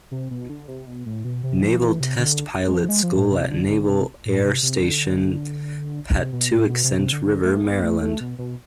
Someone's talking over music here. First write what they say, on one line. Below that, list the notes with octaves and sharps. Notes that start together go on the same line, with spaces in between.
Naval Test Pilot School at Naval Air Station Patuxent River, Maryland.
C3
B2
D3
C3
B2
A2
B2
C3
F3
E3
C3
D3
G#3
F3
G#3
F3
A2
C3
D3
D3
C3
A2
C3
C3
D3
C3
B2
A2
B2
C3
C3
D3
D3
A3
B3
A3
A3
B2
B2